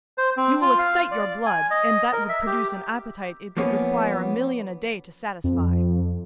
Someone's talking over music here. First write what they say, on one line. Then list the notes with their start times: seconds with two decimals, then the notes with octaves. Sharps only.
You will excite your blood, and that would produce an appetite it would require a million a day to satisfy.
0.18 C5
0.37 C4
0.61 F4
0.78 F5
1.11 D5
1.46 G#5
1.71 D#5
2.12 A#4
2.29 E5
2.47 G4
3.57 F3 A#3 B3 C#4
5.44 F2